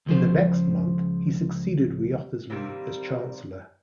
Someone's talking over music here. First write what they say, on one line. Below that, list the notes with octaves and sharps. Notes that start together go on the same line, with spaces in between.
In the next month he succeeded Wriothesley as chancellor.
C#2 F3 C5
C3 D#3 G3 A#3